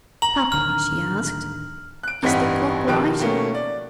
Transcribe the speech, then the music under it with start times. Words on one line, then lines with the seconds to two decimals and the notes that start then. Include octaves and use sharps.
"Papa," she asked, "is the clock right?"
0.22 A#5 F#7
0.52 D1 D3 D#3 F6
2.03 F#6 D7
2.23 A1 G2 C4 D#4 F#5 B6
2.87 B2 D#3 F3 G4 F#6 D7
3.20 B2 A3 A#3 C#4
3.55 D5